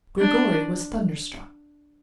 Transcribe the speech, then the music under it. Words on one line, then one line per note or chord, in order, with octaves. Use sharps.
Grigory was thunderstruck.
D4